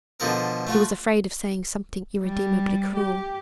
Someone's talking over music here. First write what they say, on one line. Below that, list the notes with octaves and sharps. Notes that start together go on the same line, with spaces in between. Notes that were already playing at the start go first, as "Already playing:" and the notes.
He was afraid of saying something irremediably cruel.
B2 D3 F3 A4 A#4
A3 F4 F#4
G3
G4